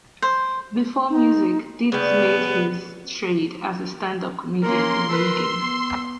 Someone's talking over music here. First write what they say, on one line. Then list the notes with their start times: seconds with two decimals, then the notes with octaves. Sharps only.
Before music, Didz made his trade as a stand up comedian in Reading.
0.22 C5
1.10 D#4
1.92 C#3 G3 B3
4.62 A#3 C#4 A#4 C6
5.09 A#4 B4 E6
5.55 B3